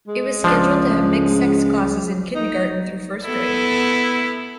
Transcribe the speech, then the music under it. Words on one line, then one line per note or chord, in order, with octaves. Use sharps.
It was scheduled to have mixed-sex classes in Kindergarten through first grade.
G#3
C#2 F3 D4
D#4
B3 E4 A4